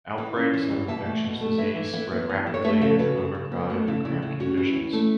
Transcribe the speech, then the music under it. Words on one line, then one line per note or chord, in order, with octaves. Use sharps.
Outbreaks of infectious disease spread rapidly in overcrowded and cramped conditions.
E3
C#4
E3
E3
B2 E5 A5
A3
B2
A3
E3 B4 E5
E3
E3 B4 E5
B3
E3
E3
C#5
A3 B4 E5
C#3 A4 C#5
C#3 F#4 B4
C#3
C#3
B3
A3 F#4
C#3 E4
C#3 E4
C#3
C#4 F#4
E3
C#4
A3